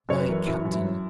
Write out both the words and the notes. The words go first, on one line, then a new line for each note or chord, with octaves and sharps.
My Captain!
F#2 C#5
B4
E3 A#4
F#2 E4
E4
F#2
E4